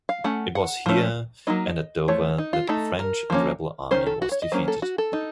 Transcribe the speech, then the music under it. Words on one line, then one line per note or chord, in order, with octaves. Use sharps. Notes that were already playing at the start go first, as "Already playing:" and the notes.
It was here and at Dover that the French and Rebel army was defeated.
F5
A3 C#4 F#5
F#5
F3 A3 C#4
F#3 A#3 D#4 D#5
F3 A3 C#5
D#4
F4
A3 D#4 A4
A#4
F3 A#3 C#4
D#3 A#3 C#4 C5
A4
F#4
C#5
D#5
F#3 A#3 C#4 C5
A4
F#4
A4
D#4